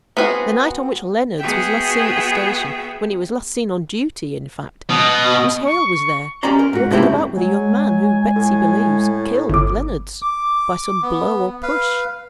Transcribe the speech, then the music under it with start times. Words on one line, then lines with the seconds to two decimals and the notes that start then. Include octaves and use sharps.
'The night on which Leonards was last seen at the station--when he was last seen on duty, in fact--Miss Hale was there, walking about with a young man who, Betsy believes, killed Leonards by some blow or push.'
0.17 B3 C4 F#4 G#4
1.39 B3 F#4 G#4 E5 G5
4.90 B2 D#5
5.65 C#6
6.43 C#4 G4 D5 F5 A#5 C6
6.59 A#4
6.73 G#2 F#4
6.91 C#3 G#3 A3 C4 E4 G4
7.03 F#2
7.37 F#3 G#3 G#5
8.36 A2
9.50 G1 D6
10.22 D6
11.02 B3
11.63 B4 F5